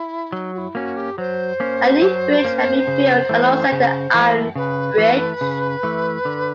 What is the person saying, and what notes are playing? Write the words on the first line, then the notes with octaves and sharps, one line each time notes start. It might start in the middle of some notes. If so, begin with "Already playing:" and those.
A new bridge had been built alongside the iron bridge.
Already playing: E4
F#3 D#4
F#4
E4
A#3 C#4 F#4
G4
F#3 C5
A#3 C#4
F#3
A#3 C#4
C#3
E3 A3
C#3
E3 A3
C#3 B4
E3 A3
C#3
E3 A3
D3